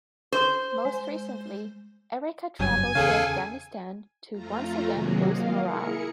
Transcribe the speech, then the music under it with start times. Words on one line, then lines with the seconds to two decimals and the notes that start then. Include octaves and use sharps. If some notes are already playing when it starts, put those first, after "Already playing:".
Most recently, Ericka traveled to Afghanistan to once again boost morale.
0.32 C5
0.85 G#3
2.60 F#1 G2 F#3 G#5
2.95 E2 C#3 G#4 A4 F5
4.31 F2 A3 F4 A#5
4.89 C3 D#3 F#3 A#3 F#4 G#4
5.28 G#3 A#3 F4 A#4 D#5 F5
5.64 E4 G#4 A#4 C#7